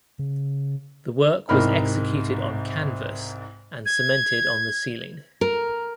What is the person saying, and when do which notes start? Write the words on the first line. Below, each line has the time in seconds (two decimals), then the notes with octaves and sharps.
The work was executed on canvas and cemented on the ceiling.
0.19 C#3
1.49 C2 G#2 D#4 A#4 B5 F6
3.86 G#6
5.41 A#4